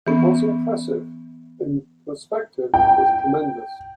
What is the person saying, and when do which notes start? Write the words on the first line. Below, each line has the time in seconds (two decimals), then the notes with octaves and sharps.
It was impressive; in perspective it was tremendous.
0.07 E3 B3 C#4
2.74 G5